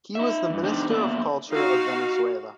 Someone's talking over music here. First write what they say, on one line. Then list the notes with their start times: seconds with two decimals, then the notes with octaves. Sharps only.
He was the Minister of Culture of Venezuela.
0.15 D#4 E5
0.49 E2 G2
0.64 E2 D4 D#4 G4 C5 D#5
0.89 A#3 B3 C5 D5 E5
1.49 D#4 F4 F#4 F5